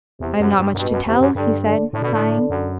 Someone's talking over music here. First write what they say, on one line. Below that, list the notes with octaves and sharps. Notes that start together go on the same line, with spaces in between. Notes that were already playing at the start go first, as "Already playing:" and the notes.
"I have not much to tell," he said, sighing.
E2 C3
F#2
G2
F#2
G2 B2
F#2
E2 C3
F#2
G2 D3
D3
A2 D3
B2
A2
F#2